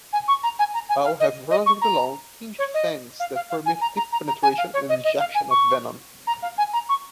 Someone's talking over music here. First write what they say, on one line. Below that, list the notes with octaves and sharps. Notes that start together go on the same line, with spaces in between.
All have relatively long, hinged fangs that permit deep penetration and injection of venom.
G#5
C#6
A#5
G#5
A#5
G#5
F5
D#5
D#5
C#6
A#5
C#5
D#5
F5
F5
F5
G#5
A#5
A#5
A#5
A#5
G#5
F5
C#5
D#5
D#5
F5
G#5
C#6
A#5
F5
G#5
A#5
C#6